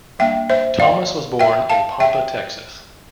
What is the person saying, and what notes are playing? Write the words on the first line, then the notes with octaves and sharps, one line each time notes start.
Thomas was born in Pampa, Texas.
G3 A#3 D4 E5 G5
C5 E5
D5 F5
E5 G5
F5 A5
E5 G5